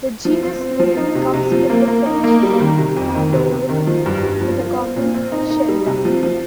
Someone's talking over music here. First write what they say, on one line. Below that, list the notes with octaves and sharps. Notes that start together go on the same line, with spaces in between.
The genus name comes from the French name "Tadorne" for the common shelduck.
F3
C4
C4
F3
D#4
C3
C3
F3
A#3
A#3
D#4
A#3
G3
D#3
C3
F2
D#3
C3
C3
D#3
F3
G2
G2
F3
F4
C4
A#2
C4
D#4
D#4
G3
C3
F3
F3